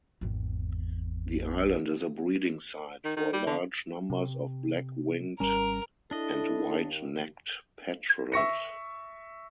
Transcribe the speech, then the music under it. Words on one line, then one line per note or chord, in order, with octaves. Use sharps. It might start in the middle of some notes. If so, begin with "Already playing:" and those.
The island is a breeding site for large numbers of black-winged and white-necked petrels.
G#1 E2
D#3
D#3
G3
D3
C3
G#1 G3 C#4 A#4
D4 E4 A4 D#5
D#2
E5 C#6 A#6 C#7